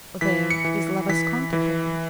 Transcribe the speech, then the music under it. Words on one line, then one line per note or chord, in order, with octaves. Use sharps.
There is Le Vesconte Point.
E3 B6
C#7
E3
E3 B6
E3